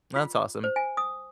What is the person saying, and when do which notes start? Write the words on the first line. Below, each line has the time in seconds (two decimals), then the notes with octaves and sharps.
That's awesome.
0.16 F4
0.64 C5
0.76 G#5
0.97 D#6